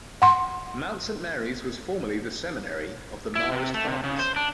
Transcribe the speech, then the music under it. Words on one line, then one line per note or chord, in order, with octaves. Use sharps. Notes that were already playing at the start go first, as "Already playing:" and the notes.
Mount Saint Mary's was formerly the seminary of the Marist Fathers.
F#5 C6
E4
C3
A3
C3
C#3
C5
D4